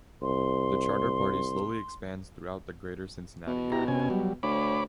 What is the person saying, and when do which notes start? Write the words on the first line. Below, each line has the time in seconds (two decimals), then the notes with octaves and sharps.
The Charter Party slowly expands throughout the Greater Cincinnati area.
0.22 C2 C6
3.47 B2
3.72 E4 G4 A#5
3.88 C3 C#4 G#5
4.10 F#3 G3
4.43 D2 C#5 B5 D6